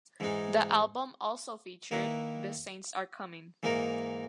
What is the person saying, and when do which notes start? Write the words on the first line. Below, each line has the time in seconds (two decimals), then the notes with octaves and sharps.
The album also featured "The Saints are Coming".
0.20 G#2 E3 G#3 D#4
1.91 D#3 A#3 E4 B4
3.63 G#2 E3 A#3 D#4 A#4